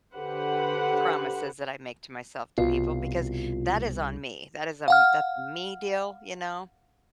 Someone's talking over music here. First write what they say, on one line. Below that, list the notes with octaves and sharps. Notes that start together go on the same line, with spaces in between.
promises that I make to myself to people because that is on me. That is a m that's a me deal. You know?
D3 G4 B4 C5 F#5
C2 B2 F4
F5 F#5 F6